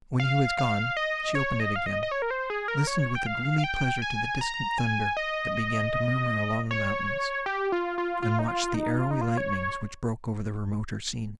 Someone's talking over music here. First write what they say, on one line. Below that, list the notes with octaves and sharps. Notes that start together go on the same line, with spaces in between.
When he was gone, she opened it again, listened with a gloomy pleasure to the distant thunder, that began to murmur among the mountains, and watched the arrowy lightnings, which broke over the remoter scene.
F5
F5
D#5
C#5
D#5
F5
D#5
D#5
C#5
A#4
C5
G#4
A#4
C#5
G5
F5
F5
G5
G#5
A#5
G#5
D#5
C#5
G4
F4
F4
F4
D#4
F4
D#4
F4
D#4
F4
C#5